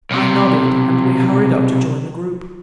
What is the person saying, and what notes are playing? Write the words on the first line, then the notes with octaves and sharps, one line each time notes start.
I nodded, and we hurried up to join the group.
B1 C3